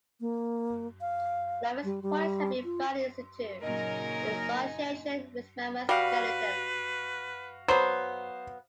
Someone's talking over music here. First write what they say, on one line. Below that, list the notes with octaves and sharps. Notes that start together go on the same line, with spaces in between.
Clovis points have been found "in situ" in association with mammoth skeletons.
A#3
F5
G3
G3
F4
A#2 C#3 F#3 D#4 A#4 D#5 G#5
G3 F#4 B4 F5
F#3 B3 C5